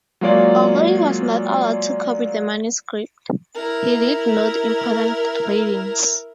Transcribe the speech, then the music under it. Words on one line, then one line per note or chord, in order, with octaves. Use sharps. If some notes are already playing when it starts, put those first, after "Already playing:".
Although he was not allowed to copy the manuscript, he did note important readings.
F#3 G#3 A#3 F4 C#5 D5
E4 A#4